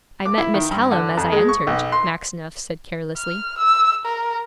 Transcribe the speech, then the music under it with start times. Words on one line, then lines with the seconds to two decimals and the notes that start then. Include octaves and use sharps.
'I met Miss Hallam as I entered,' Maxineff said carelessly.
0.25 D6
0.38 E4
0.54 D#3
0.71 G2
0.91 D3
1.17 F2
1.32 G#3
1.49 C#6
1.67 B1
1.92 C6
3.16 F6
3.58 E6
4.05 A#4